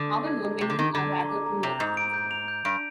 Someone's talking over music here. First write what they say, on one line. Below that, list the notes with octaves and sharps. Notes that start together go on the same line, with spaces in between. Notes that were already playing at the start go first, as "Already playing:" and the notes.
However, many are rather poor.
Already playing: D3 D#6
A#6
G#6
A#5
C3 D6
D3
D#3 A#5
D3 G#6
A#5
D6
A#5
C3 F7
G#2 G6
D7
G6
F7
G6
G2 D7